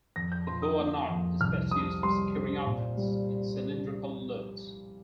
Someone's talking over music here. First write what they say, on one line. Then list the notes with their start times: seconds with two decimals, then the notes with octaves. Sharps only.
The boa knot is best used for securing objects in cylindrical loads.
0.16 F2 A#6
0.32 G6
0.47 F3 C6
0.62 D#6
0.79 A#3
1.10 F2
1.41 C2 F6
1.71 C3 D#6
2.03 G3 C6
2.35 C4
2.66 A#2
2.97 G3